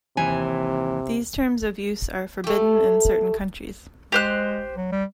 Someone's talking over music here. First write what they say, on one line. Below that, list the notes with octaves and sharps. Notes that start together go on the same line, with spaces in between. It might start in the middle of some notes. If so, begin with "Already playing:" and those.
These terms of use are forbidden in certain countries.
D#2 C3 E3 G#5
A3 G4
G#3 G4 C5 F#6
F#3
G3